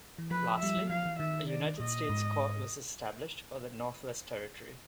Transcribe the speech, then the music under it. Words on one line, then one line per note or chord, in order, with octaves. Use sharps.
Lastly, a United States court was established for the Northwest Territory.
E3
F3 B4
G3 E5
F#3
F3 F5
E3
D#3 E5
D5
A#2 D#5
G#2